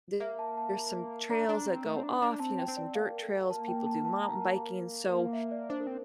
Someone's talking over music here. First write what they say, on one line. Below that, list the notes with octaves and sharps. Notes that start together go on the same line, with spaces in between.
there's some trails that go off, you know, some dirt trails, people do mountain biking, so
A#3 E5
A5
A5
D4 A#5
D4
C4
A3
C4
D4
D4
C4 A5
G5
C4
D5
A#3 F5
A3
A#3 A5
G5
A5
A5
A#5
A5
F5
E5
D5
D4 C5
A#4
C4